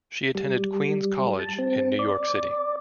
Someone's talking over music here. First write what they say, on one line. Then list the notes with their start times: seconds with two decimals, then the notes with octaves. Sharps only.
She attended Queens College in New York City.
0.35 G3
1.39 A5
1.58 C4
1.99 D5